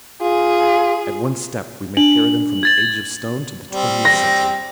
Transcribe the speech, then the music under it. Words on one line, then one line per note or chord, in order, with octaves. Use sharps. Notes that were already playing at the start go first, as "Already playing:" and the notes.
At one step we may carry them from the Age of Stone to the twentieth century.
F4 G#4
D4 F#7
G#6 A6 F#7
G3 C4
A#6